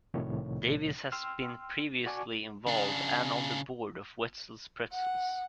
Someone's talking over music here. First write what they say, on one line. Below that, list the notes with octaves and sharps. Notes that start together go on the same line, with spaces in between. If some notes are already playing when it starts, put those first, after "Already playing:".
Davis has been previously involved and on the board of Wetzel's Pretzels.
C2 A2 C3 D#3 F3 C#5
G5 C6 E6 F6
F#4 D5 G#5 A5 C#6 D6
C#3 D4
F#5